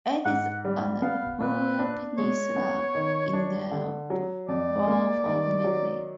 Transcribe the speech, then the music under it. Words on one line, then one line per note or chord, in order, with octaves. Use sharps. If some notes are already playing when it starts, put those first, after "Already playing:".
It is on the Hoo Peninsula in the borough of Medway.
G#2 F#5
G3
B3 F5
A#2 B4
D4
G#3 C#5
B3
D#3
D4
D3
F#3
F2 D5
A#3
D#3
F#3